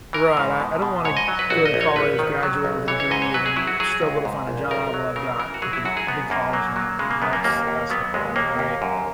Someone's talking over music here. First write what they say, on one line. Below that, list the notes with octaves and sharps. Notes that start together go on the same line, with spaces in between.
Right, I I don't wanna go to college, graduate with a degree, and then struggle to find a job while I've got a big big college loan and that's that's the problem, right?
E3 A#4
G#2
B2
B2
G#2 C#5
D#5
F#3
B4
A#1 F#4
D#5
A#1
C#5
G#1 B4
D#3
F#3
B1
E3 C#5
C#5
G#2 D#5
C#5
F#3 B4
G#4
F#3 E4
F#4
F#3 G#4
C#2
G#2
A#1
B1 A#4
F#3
C#3 A#4
E3 A#4
F#4
F#3 G#4
E4
F#2 F#4
G#4
F#2 B3
F#2 A#3
F#3 A#3
F#3
C#3 G#3
A#3
F#2 B3
A#3
D#2 A#3
D#2
F#3 B3
D#2 G#3
D#2 A#3
D#2
F#2